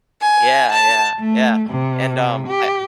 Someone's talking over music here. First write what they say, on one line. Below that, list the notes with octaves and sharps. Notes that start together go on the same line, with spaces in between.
Yeah, yeah, yeah, and, um, I
G#5
A5
A3
C3
G4